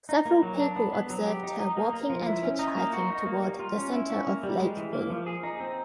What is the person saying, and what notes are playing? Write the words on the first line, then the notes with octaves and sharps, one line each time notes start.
Several people observed her walking and hitchhiking toward the center of Lakeville.
D#4
A#3
F#3
D4
B3
B3
F#3
G4
D#4
D#4
A#3
A#3
F3
E4
C#4
D#4
A#3
F#4
D#4
A#3
G3
F4
C#4
E4
C#4
A#3
G3
G#3
E3
A#3
F3
G#4
D#4
C4